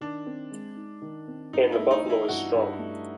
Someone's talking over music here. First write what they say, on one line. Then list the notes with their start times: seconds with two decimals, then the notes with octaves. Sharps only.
And the buffalo is strong.
0.01 D#3 D4
0.27 C4
0.51 G#3
0.76 D#4
1.02 D#3
1.28 C4
1.53 G2 D#4
1.72 E4
1.78 A3
1.91 D#4
2.03 E3
2.10 E4
2.28 G2 F#4
2.54 G2
2.79 A3